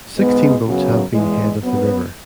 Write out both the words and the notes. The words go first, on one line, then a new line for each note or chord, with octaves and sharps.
Sixteen boats have been head of the river.
G#2 G#3 B3
F#2 C#3 F#3 B3
E2 E3 G#3
F#2 F#3 B3